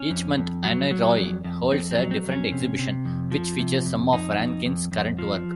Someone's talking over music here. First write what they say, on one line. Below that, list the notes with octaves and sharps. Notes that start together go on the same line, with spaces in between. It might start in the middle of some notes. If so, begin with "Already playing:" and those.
Each month "Annroy" holds a different exhibition, which features some of Rankin's current work.
Already playing: C#4
F2
F2
F#3
F#3
F2
F2
F2 C4
C4
F#3
C4
F2
C#4
C3
C3
F2
F3
C3
F2
F2 D#4
F2
F2
F2
F3